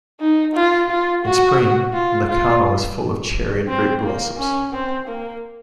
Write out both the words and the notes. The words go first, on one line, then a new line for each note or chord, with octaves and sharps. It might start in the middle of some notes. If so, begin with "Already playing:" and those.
In spring, Nakano is full of cherry and grape blossoms.
D#4
F4
F4
F#4
F4
F4
C4
A#3
C#4
C4
A#3